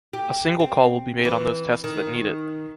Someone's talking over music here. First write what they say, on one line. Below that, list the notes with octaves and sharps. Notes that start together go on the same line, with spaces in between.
A single call will be made on those tests that need it.
G4
C4
E3
D#3